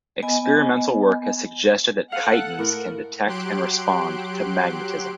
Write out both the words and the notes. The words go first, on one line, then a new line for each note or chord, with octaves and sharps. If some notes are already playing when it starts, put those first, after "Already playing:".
Experimental work has suggested that chitons can detect and respond to magnetism.
B3 D#5 G#5
A4 F5 F#5
A2 A#4
F#3 G4 C6 F#6 D7